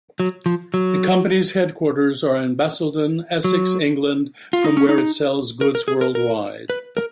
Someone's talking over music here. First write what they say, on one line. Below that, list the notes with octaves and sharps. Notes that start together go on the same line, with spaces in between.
The company's headquarters are in Basildon, Essex, England, from where it sells goods worldwide.
F#3
F3
F#3
F#3
F4
D#4
C#4
D#4
A#4
A#4
G#4
A#4
A#4
B4
A#4